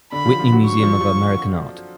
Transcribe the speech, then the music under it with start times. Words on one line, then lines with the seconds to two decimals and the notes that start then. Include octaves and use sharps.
Whitney Museum of American Art.
0.12 D3 D4 B5
0.25 F3 F4
0.39 F3 F4
0.52 F#3 F#4
0.66 C#6
0.79 D4
0.83 F3 F4
1.01 F3 F4